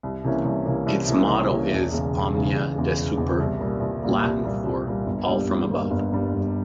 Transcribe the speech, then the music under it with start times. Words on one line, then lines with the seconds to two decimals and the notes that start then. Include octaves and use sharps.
Its motto is "Omnia Desuper", Latin for "All From Above".
0.03 C2
0.24 C3 E3 A#3 C#4
0.44 C2
0.66 C3 E3 A#3 C#4
0.87 C2
1.08 C3 E3 A#3 C#4
1.28 C2
1.49 C3 E3 A#3 C#4
1.71 E1
1.92 E2 C#3
2.13 E1
2.34 E2 C#3
2.55 E1
2.75 E2 C#3
2.96 E1
3.18 E2 C#3
3.39 C2
3.59 A#2 G3 A#3
3.80 C2
4.02 A#2 G3 A#3
4.22 C2
4.43 A#2 G3 A#3
4.65 C2
4.86 A#2 G3 A#3
5.06 G1
5.27 G2 G3 A#3
5.49 G1
5.70 G2 G3 A#3
5.91 G1
6.12 G2 G3 A#3
6.33 G1